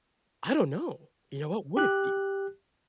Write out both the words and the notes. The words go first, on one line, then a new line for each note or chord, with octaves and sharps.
I don't know. You know, what would it be?
G4 F#6